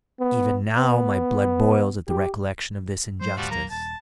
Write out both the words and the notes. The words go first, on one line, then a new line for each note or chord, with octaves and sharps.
Even now my blood boils at the recollection of this injustice.
B3
B3
G4
F#3 C5
D2 G#2 F3 G3 F#4
E1 A#1 F#3 A#3 A#5
D#1 A5